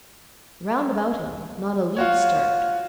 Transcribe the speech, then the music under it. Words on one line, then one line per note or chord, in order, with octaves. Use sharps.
Round about him, not a leaf stirred.
F4 F#4 C#5